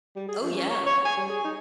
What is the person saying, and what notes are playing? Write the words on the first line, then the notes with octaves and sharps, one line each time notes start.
Oh, yeah.
G3
G#4
F3
C#4
C#5
C#5
G#5
G3
G#4
D#4